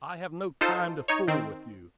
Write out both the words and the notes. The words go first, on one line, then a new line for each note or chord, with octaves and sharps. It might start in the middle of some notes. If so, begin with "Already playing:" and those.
I have no time to fool with you.
D#4 F4 A4 C5
D#4 C#5
D#3 C4